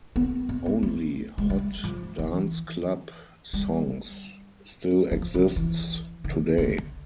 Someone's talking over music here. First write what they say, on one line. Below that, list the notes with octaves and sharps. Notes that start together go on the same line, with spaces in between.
Only "Hot Dance Club Songs" still exists today.
B3
B3
B3
A3
G#3
G3
F3
E3
G3
F3
F3
E3
D#3
D3